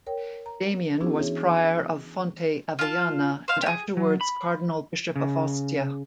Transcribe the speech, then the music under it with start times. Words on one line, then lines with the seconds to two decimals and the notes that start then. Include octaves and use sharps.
Damian was prior of Fonte Avellana and afterward Cardinal-Bishop of Ostia.
0.07 A#4 C#5 G5
0.46 A#5
1.00 B3 C#4 D4 E4 F#4 G#4
1.19 E3 G#4 C#5
2.79 F4 A5
3.48 C5 F5
3.62 G4 G#4
3.97 F#3
4.21 B5
5.16 C#3